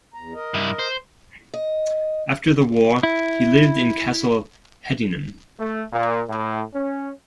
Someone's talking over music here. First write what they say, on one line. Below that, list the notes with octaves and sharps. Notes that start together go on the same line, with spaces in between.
After the war he lived in Castle Hedingham.
E2 A#5
A#4 D#5
G2 E4
C5
D#5
E4
A3
A#2
A2
C#4